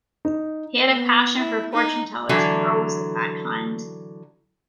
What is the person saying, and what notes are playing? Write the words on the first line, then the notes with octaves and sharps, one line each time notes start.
He had a passion for fortune-tellers and rogues of that kind.
D#4
B3
E4
D#4
D3 E3 F#3